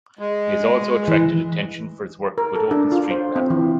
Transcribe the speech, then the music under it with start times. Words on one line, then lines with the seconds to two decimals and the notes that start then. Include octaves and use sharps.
He has also attracted attention for his work with OpenStreetMap.
0.19 G#3
1.08 E3
2.38 A#4
2.55 A4
2.71 D4
2.92 F4
3.11 C5
3.36 C4
3.50 E3